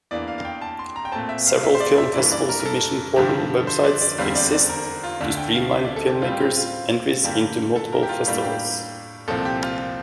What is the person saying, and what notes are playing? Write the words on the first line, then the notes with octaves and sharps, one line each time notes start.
Several film festival submission portal websites exist to streamline filmmakers' entries into multiple festivals.
E2 E3 A#3 D4 D5
F5
F5
G5
A5
C6
A#5
G5
A#2 A3 C4 A5
E5
F5
E5
C5
D5
E5
G2 E3 A#3 D5
D5
A#4
A#4
A4
G2 D3 F3 G4
C5
D5
D5
E2 D3 G3 C4 F5
D5
D5
A#4
F4
D2 D3 A3 D4
G5
F5
E5
D5
A4
G4
A2 G3 C4 F4
G4
F4
F4
G2 D3 G3 A#3 G4
A4
A#4
G4
F4
A2 G3 A#3 D4 F4
G4
C2 A#2 F3 C4 A4
G4
F4